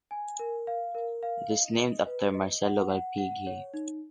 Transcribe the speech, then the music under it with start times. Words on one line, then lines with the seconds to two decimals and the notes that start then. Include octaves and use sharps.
It is named after Marcello Malpighi.
0.11 G#5
0.39 A#4
0.67 F5
0.95 A#4
1.23 F5
1.50 D#5
1.79 D#5
2.07 B4
2.35 D#5
2.62 F#5
2.90 F#5
3.18 F#5
3.47 C#5
3.74 D#4